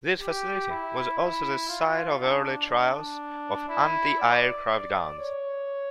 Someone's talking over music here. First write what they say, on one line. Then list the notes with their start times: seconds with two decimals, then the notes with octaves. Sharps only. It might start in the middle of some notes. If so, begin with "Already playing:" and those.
This facility was also the site of early trials of anti-aircraft guns.
0.20 G4
0.70 E4
1.19 E4
1.69 F4
2.20 D4
2.69 D4
3.69 E4
4.19 D5
5.20 C#5